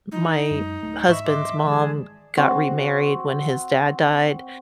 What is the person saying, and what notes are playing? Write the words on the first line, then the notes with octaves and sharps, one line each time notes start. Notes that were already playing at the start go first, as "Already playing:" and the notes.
my husband's mom got remarried when his dad died,
D#4
F#2 G#3
D1 A3
G#2 D#5 E5 B5 C#6
D#5 C6 D6
D#3 E3 G#3 G#4 D5 A5
C4 F#4